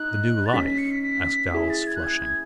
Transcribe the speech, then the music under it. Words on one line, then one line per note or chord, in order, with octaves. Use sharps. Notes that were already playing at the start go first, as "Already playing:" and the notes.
"The new life?" asked Alice, flushing.
Already playing: D#4 F#6
A6
C#4 B6
B6
C#7
B6
B6
E4 G#4 B6
A6
G#6
F#6
G#6
G#6